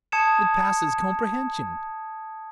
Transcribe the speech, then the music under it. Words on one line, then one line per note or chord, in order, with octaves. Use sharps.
It passes comprehension.
A5 D#6 G#6 C#7 E7